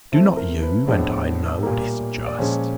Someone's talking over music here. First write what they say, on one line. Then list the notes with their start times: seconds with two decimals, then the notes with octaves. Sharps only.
Do not you and I know what is just?
0.12 F3 A3 C4 E4
0.37 A#4
0.62 B4
0.87 A2 F3 G#3 B3 D4
1.63 A#2 G3 A#3
2.26 D5
2.38 A#2 F3 G#3 C#4 C#5